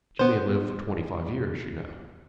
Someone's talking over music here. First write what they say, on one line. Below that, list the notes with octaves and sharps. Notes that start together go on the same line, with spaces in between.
"But you may live for twenty-five years, you know."
B3 C5